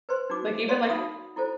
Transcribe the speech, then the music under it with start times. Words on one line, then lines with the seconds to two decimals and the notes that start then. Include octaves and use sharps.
Like, even, like,
0.09 B4 C5 C6
0.30 D4 D#4 F#4 D6
0.68 C#5 D5 C6
0.90 D#4 F4 F#4 F#5 B5 D#6
1.36 E4 F4 A4 C5